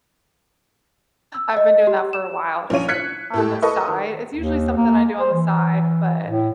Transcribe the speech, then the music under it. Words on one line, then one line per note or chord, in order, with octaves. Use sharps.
I've been doing that for a while just like on the side. It's usually something I do on the side, but
E6
D#5
G4
E7
A#1 C#4 F4 C#5 D#7
F#6 G#6 B6 C#7
A2 G4 A4
A4 B4 D#5 C#6
D#3
D#2
A#3
C5
E3
A2